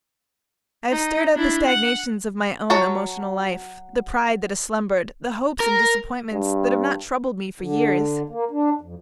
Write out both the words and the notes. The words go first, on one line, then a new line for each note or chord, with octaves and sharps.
I have stirred up the stagnations of my own emotional life, the pride that has slumbered, the hopes and disappointments that have not troubled me for years.
D#4
D4 E4
F#5
F#3 F#4 C#5 A5
A#4
G2
D3
A#3
D4
F2